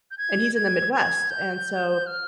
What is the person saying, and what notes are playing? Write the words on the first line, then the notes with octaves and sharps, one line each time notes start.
and he's in the Midwest, and so,
G6
G#6
G#6
G#6
G6
F6